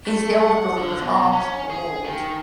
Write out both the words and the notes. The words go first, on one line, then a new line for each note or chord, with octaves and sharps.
He is the older brother of Arve Walde.
A3
F#5
D3
B2
C#4
G#4
D#3